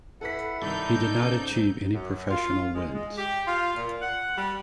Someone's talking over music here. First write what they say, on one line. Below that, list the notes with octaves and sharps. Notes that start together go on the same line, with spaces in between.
He did not achieve any professional wins.
E4 A4 B4 F#5 B6
C2 D#3 D#4 A4 D5 G6
G#2 C#3
F#2
F4
G#3
G#3
G4
F4
A#2
F#5
G3